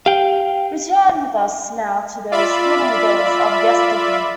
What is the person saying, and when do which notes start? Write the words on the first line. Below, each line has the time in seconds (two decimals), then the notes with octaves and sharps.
Return with us now to those thrilling days of yesteryear!
0.06 G4 F5 G5
2.31 F4 D5 E5 B5